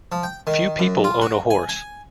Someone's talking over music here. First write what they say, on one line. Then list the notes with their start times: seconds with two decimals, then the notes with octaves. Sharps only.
Few people own a horse.
0.12 F3
0.23 G5
0.47 D#3
0.79 F#2
1.04 F4
1.22 F#4
1.50 G#5
1.69 G#5